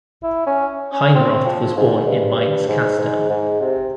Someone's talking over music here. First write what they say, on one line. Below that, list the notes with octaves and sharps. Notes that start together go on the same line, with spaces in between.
Heinroth was born in Mainz-Kastel.
E4
C#4
C#4
C4
F3
G#2
G2
G2
G#2
G#2
G#2
C3